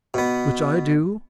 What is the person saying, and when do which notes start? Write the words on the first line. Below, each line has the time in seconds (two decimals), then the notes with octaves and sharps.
"Which I do."
0.14 B2 B3